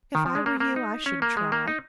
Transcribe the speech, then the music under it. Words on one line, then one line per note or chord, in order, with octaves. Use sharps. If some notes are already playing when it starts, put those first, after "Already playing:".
If I were you, I should try.
D#3
F3
G#3
A#3
A#3
D#4
C#4
A#3
G#3
A#3
D#4